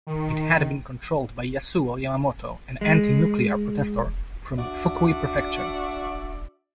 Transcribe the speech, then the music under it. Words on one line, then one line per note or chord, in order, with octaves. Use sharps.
It had been controlled by Yasuo Yamamoto, an anti-nuclear protestor from Fukui Prefecture.
D#3
G#3
D4 F#4 D5 E5